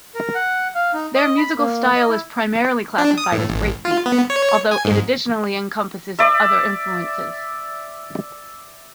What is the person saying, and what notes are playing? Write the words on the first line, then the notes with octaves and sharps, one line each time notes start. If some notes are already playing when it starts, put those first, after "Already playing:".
Their musical style is primarily classified as breakbeat, although it additionally encompasses other influences.
A#4
F#5
F5
D#4
D#5
B5
A#3
D#5
E4
D4
D#6
A2
A1
F4
B3
C#5
G#5
G#2
D5 E5